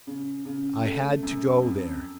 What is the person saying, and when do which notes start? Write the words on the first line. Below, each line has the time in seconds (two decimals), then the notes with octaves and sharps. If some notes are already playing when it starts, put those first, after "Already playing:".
I had to go there.
0.07 C#3
0.45 C#3
0.84 A3
1.23 F#2
1.62 F2